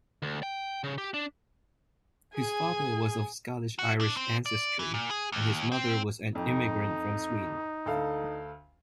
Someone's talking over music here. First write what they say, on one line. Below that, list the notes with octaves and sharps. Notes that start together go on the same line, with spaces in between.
His father was of Scottish-Irish ancestry and his mother was an immigrant from Sweden.
D2
G5
C#3
G4
D4
G#4 G#5
F#4
D4
C4
D5
E3
A#2
G#4
D#2
C4
F2 D#4
D2 A4 F5